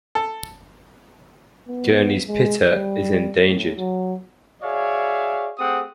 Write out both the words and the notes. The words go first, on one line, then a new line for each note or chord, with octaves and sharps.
Gurney's pitta is endangered.
A4
B3
G#3
G3
A2
F#3
F#4 G#4 C#5 D5 E5 F5
A3 C4 G4 G#4 F#5 D#6